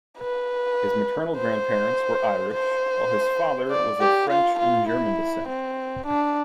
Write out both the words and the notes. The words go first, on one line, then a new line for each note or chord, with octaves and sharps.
His maternal grandparents were Irish, while his father was of French and German descent.
B4
C5
C5
D5
G4
F4
F4
E4
C4
D4